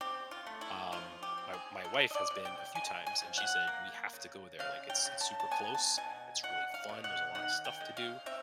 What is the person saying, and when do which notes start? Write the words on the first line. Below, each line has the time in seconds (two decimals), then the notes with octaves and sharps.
um, my my wife has been a few times, and she said, "We have to go there," like, it's it's super close, it's really fun, there's a lotta stuff to do,
0.01 C4 G4
0.31 F4
0.46 A3
0.61 E4
0.92 F3 F4
1.23 G4
1.38 C4
1.54 G#4
1.84 G#3 A4
2.11 D#5
2.15 D5
2.30 C3
2.45 G5
2.75 G#3 G#5
3.06 G#5
3.22 F3
3.38 F#5
3.67 A#3
4.13 C#3
4.59 C#3 F5
4.90 G5
5.05 C#3
5.21 A5
5.40 A5
5.51 B3 G#5
5.74 A5
5.97 B2 G#5
6.43 B2 F#5
6.74 F5
6.89 B2
7.04 F#5
7.35 D#3 F#5
7.65 G5
7.81 G#3
7.97 F5
8.26 C4 E5